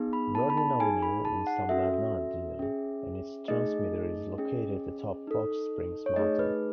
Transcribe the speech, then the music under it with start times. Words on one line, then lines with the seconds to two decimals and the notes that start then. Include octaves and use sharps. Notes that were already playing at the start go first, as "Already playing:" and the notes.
Vernon Avenue in San Bernardino, and its transmitter is located atop Box Springs Mountain.
Already playing: B3 D#4 G#4
0.13 B5
0.35 A5
0.50 B5
0.57 A5
0.80 D#4 G#4 G#5
1.02 B5
1.25 A5
1.47 F#5
1.69 C#4 F#4 A4 E5
2.59 C#4 G#4
3.48 A3 D#4 G#4 D#5
4.38 C#4 G#4
5.27 D#4 A4
6.06 C#5
6.16 A3 D#4 G#4 D#5
6.39 B4